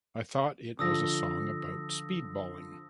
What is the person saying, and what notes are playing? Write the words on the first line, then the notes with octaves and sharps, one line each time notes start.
I thought it was a song about speedballing.
D3 F3 D#6 E6 A#6